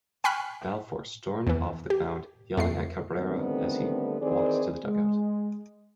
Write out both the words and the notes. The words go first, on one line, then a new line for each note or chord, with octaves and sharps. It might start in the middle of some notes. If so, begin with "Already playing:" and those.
Balfour stormed off the mound, yelling at Cabrera as he walked to the dugout.
G5 G#5 B5 C#6 F6 F#6
E2 E3
G4
F2 A3 C7
D3 D#3 G3 A3 B3 C4
D#3 E3 C4 G#4 D5
G#3